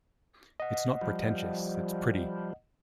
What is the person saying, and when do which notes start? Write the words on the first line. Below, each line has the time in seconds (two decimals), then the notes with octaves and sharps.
It's not pretentious, it's pretty.
0.60 D#5 F#5
1.01 F3 G3